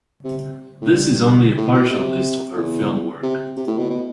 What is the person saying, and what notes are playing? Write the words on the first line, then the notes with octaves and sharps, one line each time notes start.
This is only a partial list of her film work.
C3
A2
G2
A2
B2
C3
E2
C3
C3
A2
B2
B2